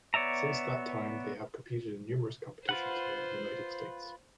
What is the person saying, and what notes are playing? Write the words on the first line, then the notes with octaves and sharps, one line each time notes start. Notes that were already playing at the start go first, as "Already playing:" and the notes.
Since that time, they have competed in numerous competitions around the United States.
B3 C#5 D5 E5 A#5
F4 B4 C5 F#5